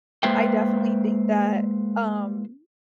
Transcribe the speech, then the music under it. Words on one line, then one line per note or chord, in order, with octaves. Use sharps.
I, definitely, think that, um,
G#3 A#3 B4 C5 E5 G5